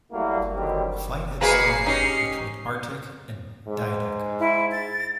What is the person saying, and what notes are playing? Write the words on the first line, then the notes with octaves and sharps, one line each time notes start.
A fight had started between Artich and Diedek.
F#3 G3 A3 A#3 E4 F#4
D3 D#3 F#3 G3 C4 G4
A#3 F#4 G#4 B4 D#5 G#5 A#5 C7
C#4 D#4 G4
G#2
E4
A6